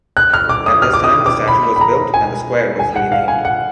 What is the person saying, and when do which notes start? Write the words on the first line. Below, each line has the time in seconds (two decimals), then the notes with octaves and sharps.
At this time the statue was built, and the square was renamed.
0.17 F#6
0.34 F6
0.49 D6
0.66 D#6
0.82 F6
0.94 D6
1.04 D#6
1.26 D6
1.48 B5
1.76 B5
1.81 A#5
2.14 G#5
2.79 G#5
2.96 F#5
3.12 F5
3.28 G#5
3.45 F#5